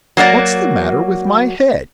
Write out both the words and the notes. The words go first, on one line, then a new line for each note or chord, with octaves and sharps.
What's the matter with my head?
F#3 A#3 F#4 D5